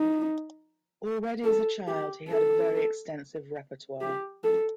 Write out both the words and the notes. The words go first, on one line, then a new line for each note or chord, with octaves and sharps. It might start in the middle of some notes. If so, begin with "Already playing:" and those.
Already as a child he had a very extensive repertoire.
Already playing: D#4
A4
G4
A4
G4
A4